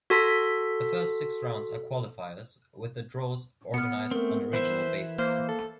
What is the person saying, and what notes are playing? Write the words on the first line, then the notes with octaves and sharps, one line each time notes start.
The first six rounds are qualifiers, with the draws organised on a regional basis.
F#4 A4 C6 B6
B3 F6 C#7
A3 C4 A#4
E3 B4 C5 E5
A#3 C5 F6
A4